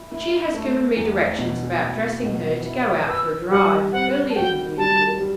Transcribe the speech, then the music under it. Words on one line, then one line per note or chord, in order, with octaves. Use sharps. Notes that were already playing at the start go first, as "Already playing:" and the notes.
But she has given me directions about dressing her, to go out for a drive--earlier than usual.
Already playing: E4
E4
A3
E2
B2
E4
B2
E4
B4 E6
G3 F#5
C4 F#5
A5
F#4 G5
G3 A5
G3